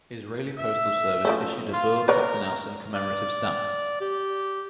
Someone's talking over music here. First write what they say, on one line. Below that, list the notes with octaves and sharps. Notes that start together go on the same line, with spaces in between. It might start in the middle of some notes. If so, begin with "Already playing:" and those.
Israeli Postal Service issued a Berl Katzenelson commemorative stamp.
E5
F3 A3 C#4
F4
A#4 B4 C#5 D5
D5
G4